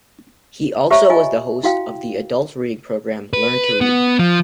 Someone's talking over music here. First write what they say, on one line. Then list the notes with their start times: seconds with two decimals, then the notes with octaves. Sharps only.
He also was the host of the adult reading program, "Learn to Read".
0.90 G4 C5 C#5 E5 A#5 C#6
1.10 F4 D#5 G#5
1.63 E4 F#4 F5 G5
3.33 B4
3.81 B3
4.19 F3